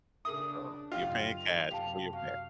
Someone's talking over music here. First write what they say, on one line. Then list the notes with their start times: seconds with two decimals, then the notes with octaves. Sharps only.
So, you're paying cash for your pet.
0.25 C#3 D4 G#4 A#4 E5 D#6
0.92 F#2 C#3 F4 G4 D#5 G5
1.37 D#3 F7
1.71 F#2 C3 G4 F5 A5
2.13 F#4 F5